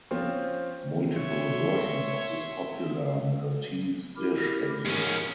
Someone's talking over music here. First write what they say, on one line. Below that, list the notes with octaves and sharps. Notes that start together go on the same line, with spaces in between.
Multiple versions of this popular Maltese dish exist.
F3 C4 C#4 F4
C#5 E5 C6
E4 G4 A#4
G#2 C#4 A#4